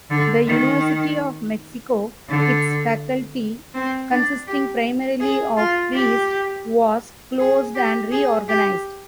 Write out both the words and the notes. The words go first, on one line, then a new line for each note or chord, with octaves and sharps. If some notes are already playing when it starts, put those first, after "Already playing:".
The University of Mexico, its faculty consisting primarily of priests, was closed and reorganized.
D3
D#3
D3
C4
D4
G4
G#4
F4
G4
G#4
G4
G#4
G4